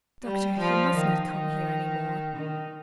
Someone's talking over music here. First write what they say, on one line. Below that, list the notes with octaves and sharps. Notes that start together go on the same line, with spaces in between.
Doctor, you must not come here any more.
G3
F3
D#3
D#3
D#3